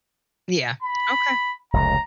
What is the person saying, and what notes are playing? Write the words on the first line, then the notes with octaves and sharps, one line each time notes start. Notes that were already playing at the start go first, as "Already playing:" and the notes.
yeah. Okay.
B5
F1 C#2 A#5